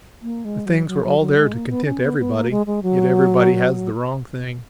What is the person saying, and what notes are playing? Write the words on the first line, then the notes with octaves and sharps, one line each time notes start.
The things were all there to content everybody; yet everybody has the wrong thing.
A#3
G#3
F#3
F#3
F#3
F#3
G#3
A#3
B3
C#4
B3
B3
A#3
G#3
G#3
F#3